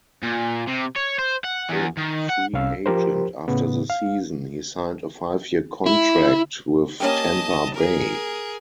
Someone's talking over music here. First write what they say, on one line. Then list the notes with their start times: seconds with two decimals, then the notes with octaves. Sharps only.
A free agent after the season, he signed a five-year contract with Tampa Bay.
0.23 A#2
0.67 C3
0.96 C#5
1.19 C5
1.44 F#5
1.69 E2
1.97 D#3
2.29 F#5
2.53 C2 C#4 F5 E6
2.86 F3 G4 A#4 C5
3.48 A2 C#3 B3
3.90 F5
5.86 E4
7.00 A#3 C#4 G4 D#5 A5
7.75 G#4 A#4